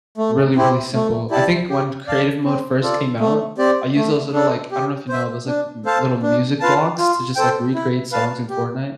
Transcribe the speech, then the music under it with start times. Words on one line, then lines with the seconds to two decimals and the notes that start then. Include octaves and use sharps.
really, really simple. I think when Creative mode first came out, I used those little, like I don't know if you know those, like, little music blocks to just, like, recreate songs in Fortnite.
0.18 A3
0.56 C4 E4 G4
0.94 A3
1.31 E4 G4 D5 A5
1.69 G4
2.07 D5 F5 A5
2.45 C4
2.82 F4 A4 D5
3.20 A3
3.58 C4 G4 D5
3.96 A3
4.33 D4 A4
4.71 G4
5.09 C5 E5
5.47 D4
5.85 A4 C5 F5 A5
6.23 D4
6.60 F4 B4 F5 A5
6.98 F4
7.36 A4 C5 G5
7.74 E4
8.12 B4 F5 A5
8.50 G4